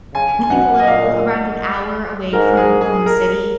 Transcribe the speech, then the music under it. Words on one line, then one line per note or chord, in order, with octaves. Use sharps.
I think, a little around an hour away from Oklahoma City,
C#3 G#5
G#5
B2 F#5
D#5
A#2 F5
G#2 A#4
G#4
G#4
A#4